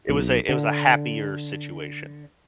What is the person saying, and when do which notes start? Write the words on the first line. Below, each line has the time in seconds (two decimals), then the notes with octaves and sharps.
it was a it was a happier situation.
0.09 B1
0.49 D3